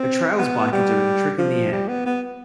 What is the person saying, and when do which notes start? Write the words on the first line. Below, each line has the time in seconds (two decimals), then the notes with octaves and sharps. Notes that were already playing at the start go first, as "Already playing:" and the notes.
A trials biker doing a trick in the air.
Already playing: C4
0.39 B3
0.72 G3
1.38 F3
1.72 G3
1.88 B3
2.06 B3